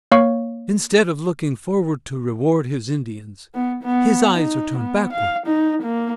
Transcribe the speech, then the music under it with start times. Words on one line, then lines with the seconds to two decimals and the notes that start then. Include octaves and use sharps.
Instead of looking forward to reward his Indians, his eyes are turned backward.
0.12 A#3 C#5 F5 C#6
3.55 B3
3.83 B3
4.35 D#4
4.77 B3
5.13 F5
5.47 D#4
5.82 A#3